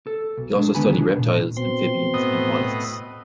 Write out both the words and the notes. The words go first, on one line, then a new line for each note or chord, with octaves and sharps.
He also studied reptiles, amphibians, and molluscs.
A4
B1
G#3 D4
E2 D3 D#3 B3 G#5 B5
B2 D4
A#2
B2 C4 C6
A2 B3 D#5